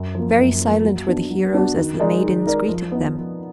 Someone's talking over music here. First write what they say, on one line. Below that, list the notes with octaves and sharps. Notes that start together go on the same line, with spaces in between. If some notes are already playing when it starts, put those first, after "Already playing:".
Very silent were the heroes as the maidens greeted them.
Already playing: F#2
F3 A#3
F#2
F3 A#3
F#3
B3 D4 F#4
F#3
B3 D4 F#4
D#3
G#3 D#4 A#4 D5
D#3
G#3 D#4 A#4 D5
F3
B3 D#4
F3